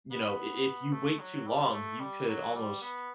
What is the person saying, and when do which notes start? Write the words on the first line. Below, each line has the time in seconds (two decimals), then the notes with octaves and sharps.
you know, i if you wait too long, you could almost,
0.11 B3
0.92 A3
1.20 F#3
1.47 G3
1.74 A3
2.01 G3
2.28 F#3
2.55 G3
2.82 B3